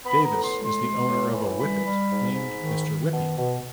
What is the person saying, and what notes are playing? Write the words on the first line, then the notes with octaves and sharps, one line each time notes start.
Davis is the owner of a whippet named Mr. Whippy.
B3 B5
A#5
A2
C6
G#3
C6
G#3
A2
E3
G3 B5
G3
G#2
G#2
D#3
D#3
B2
B2